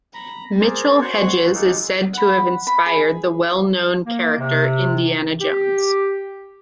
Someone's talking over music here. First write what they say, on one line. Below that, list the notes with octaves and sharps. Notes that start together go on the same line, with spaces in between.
Mitchell-Hedges is said to have inspired the well known character Indiana Jones.
A#5 B5
G#4 A#4 C5 D5
F#4 C5 C#5 C6 C#6 F#6
G#3 D#4 F4 G4 A4
F#5 B5
B5
G#4
A#3
C3
G4